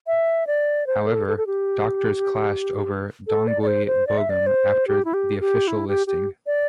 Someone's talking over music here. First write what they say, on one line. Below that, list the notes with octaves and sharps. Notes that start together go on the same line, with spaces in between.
However, doctors clashed over "Dongui Bogam" after the official listing.
E5
D5
C5
A4
A4
A4
G4
A4
D5
D5
C5
C5
D5
E5
D5
C5
G4
E4
G4
G4
E4
G4
G4
D5